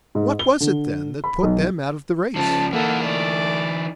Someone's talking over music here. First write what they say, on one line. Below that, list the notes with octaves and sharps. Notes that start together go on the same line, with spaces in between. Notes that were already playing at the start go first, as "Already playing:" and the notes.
What was it then, that put them out of the race?
G#2
G7
D3
B5
B1
C#3 F3 A5
E3 A#3 D#4 A4 F#5
A3 D5